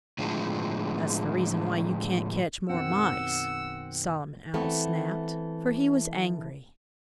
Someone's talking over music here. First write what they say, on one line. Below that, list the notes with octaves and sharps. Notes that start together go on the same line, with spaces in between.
"That's the reason why you can't catch more Mice," Solomon Owl snapped; for he was angry.
A2 D3 F3 G#3 B3
F#2 B2 D#3 C4 F#5 E6
E3 A3 B3 C4